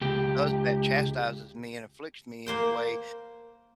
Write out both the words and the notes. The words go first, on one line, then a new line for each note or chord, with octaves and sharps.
i does that chastises me and afflicts me in the way,
C#2 G4
A#3 C5 G5